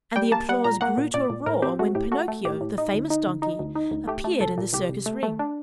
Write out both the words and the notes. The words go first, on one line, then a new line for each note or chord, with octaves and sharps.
And the applause grew to a roar when Pinocchio, the famous Donkey, appeared in the circus ring.
G3 G5
A#3 A5
G3 F#5
A#2 A#5
A#3 F#5
A#2
A#2 D5
A#2
A2 A#4
C4 G4
A3 F#4
A2 G4
A3 F#4
A3
A2 G4
A2
D#4
D2
D#4
D2
D#4
D2
D#4
D2
A3 G4
A3
C2 A4
A#2
C2 G4
C2
A3
A3
D4